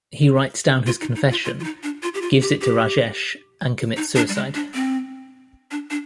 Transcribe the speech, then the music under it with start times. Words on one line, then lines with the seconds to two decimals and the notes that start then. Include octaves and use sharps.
He writes down his confession, gives it to Rajesh, and commits suicide.
0.86 F4
1.01 D#4
1.15 D#4
1.30 F4
1.45 F4
1.60 F4
1.64 D#4
1.83 D4
2.03 F4
2.14 G4
2.22 F4
2.42 G4
2.61 G4
3.97 D#4
4.16 D4
4.29 G3
4.35 G#3
4.55 D4
4.74 C4
5.71 D4
5.90 D4